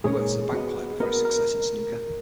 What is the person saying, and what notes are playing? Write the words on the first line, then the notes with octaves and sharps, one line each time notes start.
He worked as a bank clerk before his success in snooker.
A#2 G#3 D#4 G#4 A#4 C#5
B3 F#4 B4 D#5
B3 F#4 A#4 B4 D#5
A#4